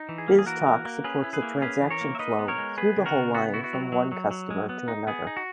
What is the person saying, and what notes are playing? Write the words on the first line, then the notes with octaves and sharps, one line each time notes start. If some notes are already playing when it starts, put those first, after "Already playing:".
BizTalk supports the transaction flow through the whole line from one customer to another.
Already playing: D#4
E3
G#4
A#3
G#4
E3 F#4 A#4
A#3
A#3
C#4 G#4 B4
E4
G#4 B4
A#3
C#4 G#4 B4
E3
A#4 C#5
A#3
E5
D#4 B4 D#5
B3
A#4 C#5
G#3
B3 G#4 B4
C#3
F#4 A#4
C#3
B3 F#4
E4 F#4
F#4
F#3
F#3
F#3
F#3
G#3
B3
D#4
B3 G#4
D#4
F#4